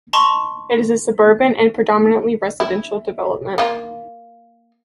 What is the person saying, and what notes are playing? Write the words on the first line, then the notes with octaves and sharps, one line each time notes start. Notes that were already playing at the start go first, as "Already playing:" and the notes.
It is a suburban and predominantly residential development.
D#5 A5 A#5 C6 C#6
E4
A#3 F4